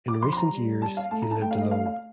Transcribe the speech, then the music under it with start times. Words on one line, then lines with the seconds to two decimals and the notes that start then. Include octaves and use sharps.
In recent years he lived alone.
0.08 D6
0.22 F3 C6
0.33 C6
0.37 A#5
0.51 G3
0.82 A5
0.97 F5
1.11 A3 A5
1.22 A#5
1.31 A5
1.41 A3 G5
1.51 F5
1.61 D#5
1.71 F5
1.86 F5